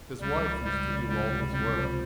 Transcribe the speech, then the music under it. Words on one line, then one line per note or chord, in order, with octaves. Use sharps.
His wife used to do all his work.
C#2 G3
F3
C#2 G3
C#2
C#2 G3
C3
G3 C4
F3